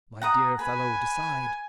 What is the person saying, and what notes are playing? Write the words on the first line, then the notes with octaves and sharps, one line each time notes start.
My dear fellow, decide!
F#5 A#5 D#6
B4 G#5